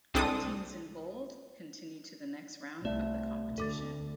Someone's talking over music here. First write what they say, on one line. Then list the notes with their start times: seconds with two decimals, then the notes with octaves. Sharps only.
Teams in bold continue to the next round of the competition.
0.14 C2 G#3 C4 D4 A4 D#6
2.85 C2 A3 D5
3.58 D2 A4 D6 A6